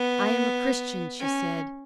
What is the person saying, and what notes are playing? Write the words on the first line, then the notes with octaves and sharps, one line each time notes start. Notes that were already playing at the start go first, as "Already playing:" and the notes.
'I am a Christian,' she said.
Already playing: B3
C#4